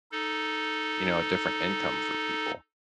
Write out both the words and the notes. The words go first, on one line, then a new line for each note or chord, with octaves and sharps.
you know, a different income for people.
D#4 A4